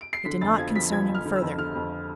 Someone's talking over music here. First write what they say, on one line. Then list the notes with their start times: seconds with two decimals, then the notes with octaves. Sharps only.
It did not concern him further.
0.01 D7
0.13 C7
0.25 D3 B6
0.41 F2 A6
0.58 F3 G#6
0.75 F3 B6
0.91 F3 G#6
1.08 F2
1.15 F6
1.25 D3
1.36 E6
1.42 F2
1.58 D3 F6
1.75 F2